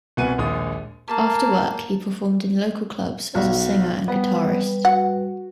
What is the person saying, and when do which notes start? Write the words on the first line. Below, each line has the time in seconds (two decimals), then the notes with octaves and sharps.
After work, he performed in local clubs as singer and guitarist.
0.17 C2 B2 B4 F#5 G#5 D#7
0.38 A#1 D#2 G#3 D#6
1.07 A#3 A5
3.35 B1 F#4
4.08 G3 B3 B4
4.85 F#4 F#5